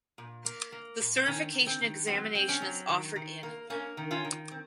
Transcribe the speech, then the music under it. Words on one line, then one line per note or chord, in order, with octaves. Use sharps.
The certification examination is offered annually.
A#2
A#3
A#3
A#2
C4
D#3 C#4
D#3
C4
D#3
F#3 C4
C4
C#4
F#3
D#3
D#3
A#3
A#3 C#4
D#3
C#4 F4
D#3
C4